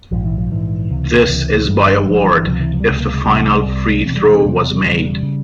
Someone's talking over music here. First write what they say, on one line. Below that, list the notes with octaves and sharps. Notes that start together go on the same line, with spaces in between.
This is by award, if the final free throw was made.
A#1 G#2 F3
E3
F3
A#1 G#2 E3
C#2 C3
C#2 C3 E3
G1 G2
G1 G2 F3
E3
E3
C#2 C3 F3
E3
F3
G3
C#2 C3 G#3
A#3
G#3
C2 C3 G3
F3
G#3
G3
C2 C3
E1 E2 C3 C4
G3
G#3
C4
E1 E2 C3 A#3
G3
E1 E2 C#3 G3
C#3